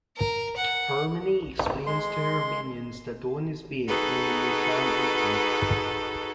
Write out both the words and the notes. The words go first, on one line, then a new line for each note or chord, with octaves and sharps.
Harmony explains to her minions that Dawn is bait, meaning they can't eat her.
A#4
F#5
G#3 C6
D#4 F#4 G#4 A4 B4